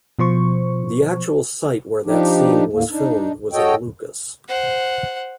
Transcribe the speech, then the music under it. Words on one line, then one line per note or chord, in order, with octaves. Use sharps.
The actual site where that scene was filmed was in Lucas.
B2 F3 C5 C#6
F3 D4 D#4 G4
D#2 A2 D3 A#3
D4 D#4
F#4 A4 C#5 D#5 G5
C5 F#5